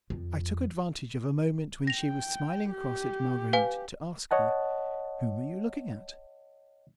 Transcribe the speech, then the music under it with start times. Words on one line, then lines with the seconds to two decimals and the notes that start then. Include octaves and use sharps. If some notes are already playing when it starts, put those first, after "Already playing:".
I took advantage of a moment when she was smiling across at Marguerite to ask her, "Whom are you looking at?"
0.10 F2
1.87 G5 A#6 F7
2.72 G4
3.53 B4 F5 G#5
4.31 C#5 D#5 F#5 A5